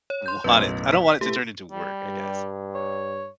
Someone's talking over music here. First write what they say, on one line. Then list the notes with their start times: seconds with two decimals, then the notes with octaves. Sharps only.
want it I don't want it to turn into work, I guess.
0.10 C#5
0.26 C6 G6
0.44 B1 F#2 A2 B4 D#5
0.92 B6
1.21 A3 E4 G4 B4
1.72 G3
2.05 G2
2.75 C#5